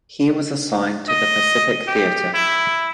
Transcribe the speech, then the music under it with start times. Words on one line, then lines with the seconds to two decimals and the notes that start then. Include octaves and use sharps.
He was assigned to the Pacific Theater.
1.09 D#5
1.88 G4
2.34 E4